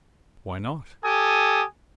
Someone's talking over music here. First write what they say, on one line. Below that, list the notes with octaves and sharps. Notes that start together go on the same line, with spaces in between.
"Why not?"
G4 A4 G#5 D#6